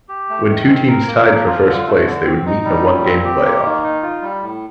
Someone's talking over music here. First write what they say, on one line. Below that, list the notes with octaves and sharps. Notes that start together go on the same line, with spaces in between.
When two teams tied for first place, they would meet in a one-game playoff.
G4
A3
D#3
C4
A#4
A#3
F3
F4
D3
A3
D3
C4
D#4
G3
A#2
C4
G4
A#3
D#3
D#4
F4
G3
A2